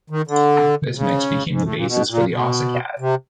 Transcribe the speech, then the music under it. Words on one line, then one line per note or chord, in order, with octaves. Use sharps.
This mix became the basis for the Ocicat.
D#3
D3
C#3
G#2
A2
A#2
B2
A#2
B2
C3